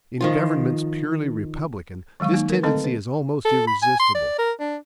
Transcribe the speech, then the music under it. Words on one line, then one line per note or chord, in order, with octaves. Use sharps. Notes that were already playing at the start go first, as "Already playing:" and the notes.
In governments purely republican, this tendency is almost irresistible.
D#3 F3 F4
D#3 F#3 G#3 F5 C#6
A#3 D#4
A#4 B4
D3 A3 C4 A4 D#5 A5
B4
A4
B5
G#5
C6
D5
A#4
D4